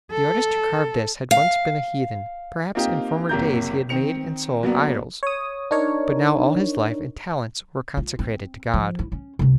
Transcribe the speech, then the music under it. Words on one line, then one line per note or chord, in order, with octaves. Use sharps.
The artist who carved this had once been a heathen; perhaps in former days he had made and sold idols, but now all his life and talents were consecrated to God.
A4
F5
A#3 C4 D#4 F4 G4
F#1 C3 A#3 A#5 G6
D#3 C4 C#7 F7
F#3 A#3 B3 D4
C#5 D#6
D4 D#4 A#4 C#5
F4
C4
F3
E4
C#4
C2 C3